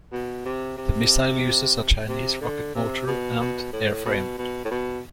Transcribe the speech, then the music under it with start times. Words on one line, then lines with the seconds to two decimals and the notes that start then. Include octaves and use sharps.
The missile uses a Chinese rocket motor and airframe.
0.12 B2
0.45 C3
0.77 C3
2.09 C3
2.41 D3
2.75 C3
3.07 B2
3.39 B2
3.72 A2
4.05 B2
4.38 B2
4.64 A2
4.71 B2